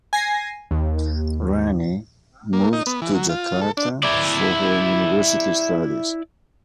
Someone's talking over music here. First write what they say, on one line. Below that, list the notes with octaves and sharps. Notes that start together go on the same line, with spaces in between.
Rani moved to Jakarta for her University studies.
G#5 A#6 C7
D#2
A#3
D#4
B3
E3
F#3
F4
A4
D4
E4 D5